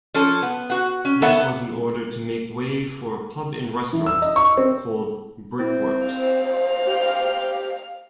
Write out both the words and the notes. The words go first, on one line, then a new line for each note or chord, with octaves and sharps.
This was in order to make way for a pub and restaurant called "Brickworks".
F3 C#4 A4
B3
F#4 F#5
C#4
B3 A4 C#5 E5 F#5
E3
E6
D#5
C#6
C4
C4 E4
C5 F5
G4